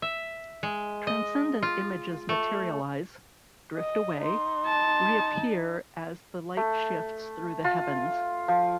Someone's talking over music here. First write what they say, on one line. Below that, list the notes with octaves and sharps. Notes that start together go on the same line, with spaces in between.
Transcendent images materialize, drift away, reappear as the light shifts through the heavens.
E5
G#3
D#5
F4
A3
D#5
D#4 C6
A5
A3
F4
F3